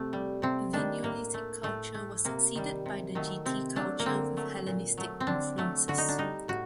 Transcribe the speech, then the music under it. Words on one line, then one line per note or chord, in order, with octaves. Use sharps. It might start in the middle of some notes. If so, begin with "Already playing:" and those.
The neolithic culture was succeeded by the Getae culture with Hellenistic influences.
Already playing: C3 A3 C4
G3
C3 C4
D#3 G3 D4
A2 A#3
A3
A2 A3
A3
C3 A#3
D#3 G3
C3
D#3 F#3 A3
C3 C4
F#3 A3 D4
A#3
D3 C4
F#3 A3
A#2
F#3 A3
C4
D3 D4
F#3 A3
D3 F#4
D#4
D4
G3 D#4
A2 F#4